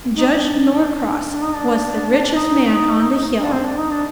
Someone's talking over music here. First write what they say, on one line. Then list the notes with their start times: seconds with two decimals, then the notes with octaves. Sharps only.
Judge Norcross was the richest man on the Hill.
0.15 D#4
0.28 D4
1.32 D4
1.42 D#4
1.54 D4
2.27 D4
2.35 D#4
3.39 D4
3.52 C4
3.65 D4
3.78 D#4
3.91 D4